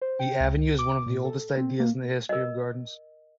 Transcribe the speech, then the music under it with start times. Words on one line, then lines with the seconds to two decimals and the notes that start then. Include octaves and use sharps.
The avenue is one of the oldest ideas in the history of gardens.
0.02 C5
0.19 G5
0.40 C#2
0.79 D6
1.06 A#2
1.24 A4
1.57 C4
1.80 A#3
2.29 A#4 D#5